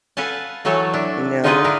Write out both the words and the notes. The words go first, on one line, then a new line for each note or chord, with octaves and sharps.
You know?
A4 B4 F5 F#5 G#5 A5
E3 F#3 A3 A4 C#5
D4 E4
D3 D#4 F4 G#4 B4 D#5
D4 E4 A#4